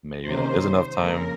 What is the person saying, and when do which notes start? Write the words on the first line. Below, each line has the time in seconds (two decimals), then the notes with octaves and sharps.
Maybe that is enough time."
0.26 C3 D#3 A#3 C#4 C5
1.01 F2 C#3 F3 A#3 A#4